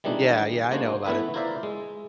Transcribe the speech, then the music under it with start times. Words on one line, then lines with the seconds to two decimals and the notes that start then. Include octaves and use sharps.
Yeah, yeah, I know about it.
0.04 D#3 E3 G3 G#3 D4 D#4
0.71 G#3 A#3 D4 F#4 C5 C#5
1.06 E3 A3 B3 E4 A4 B4
1.34 E4 F4 A#4 C5 D5 E5
1.63 G#3